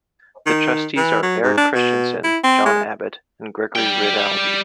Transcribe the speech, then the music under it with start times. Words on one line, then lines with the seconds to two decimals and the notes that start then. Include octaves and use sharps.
The Trustees are Eric Christensen, John Abbott and Gregory Rinaldi.
0.46 D#3
0.96 E3
1.23 F#3
1.43 G#2
1.57 D4
1.75 B2
2.24 E4
2.44 C4
2.65 G#3
3.76 G3 G5